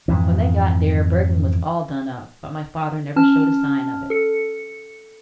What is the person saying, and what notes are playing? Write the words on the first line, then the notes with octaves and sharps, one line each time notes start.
When they got there Bergmann was all done up, but my father never showed a sign of it.
F2 G#2 E3
C#4 A5 F6
A4 C#7